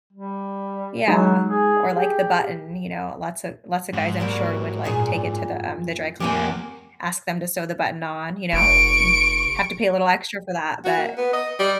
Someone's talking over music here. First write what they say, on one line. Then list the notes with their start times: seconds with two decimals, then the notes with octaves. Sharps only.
Yeah, or, like, the button, you know, lots of lots of guys I'm sure would, like, take it to the, um, the dry cleaner and ask them to sew the button on, you know, and have to pay a little extra for that, but
0.13 G3
1.08 F#3 G#3 D#4
1.50 G#4
1.93 G4 G#4
3.93 G#2
4.20 F#3 G3 A#3
4.84 F#2 A#2 G#4
6.20 F2 A#3 C4 G4 G#5
8.53 F1 C#6 D7
10.84 F#4
10.97 A#3
11.18 B3
11.33 D#5
11.59 G3